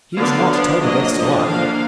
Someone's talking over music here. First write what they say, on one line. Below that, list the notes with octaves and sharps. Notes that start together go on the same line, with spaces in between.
He does not tell the guests why.
D3 F#3 B3 D4 F5
F3 B3 D4
F#3 A#3 D4 D#5
D3 F3 A#3 D4 D#5
F3 A#3 D4 F5